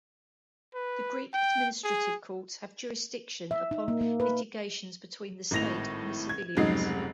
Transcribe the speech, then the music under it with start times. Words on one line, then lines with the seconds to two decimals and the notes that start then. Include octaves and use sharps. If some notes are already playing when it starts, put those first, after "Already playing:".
The Greek administrative courts have jurisdiction upon litigations between the State and the civilians.
0.75 B4
1.34 G5
1.84 G#4
3.51 E5
3.71 D#4
3.88 A#3
4.01 A#3
4.20 B4
5.51 G#1 A2 A#6 F7
6.29 G#6
6.57 F1 C#2 G#2 F#3 D#5 C7